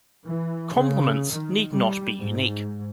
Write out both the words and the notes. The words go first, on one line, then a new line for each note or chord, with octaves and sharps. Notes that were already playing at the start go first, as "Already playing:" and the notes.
Complements need not be unique.
E3
C#3
D#3
G3
G#2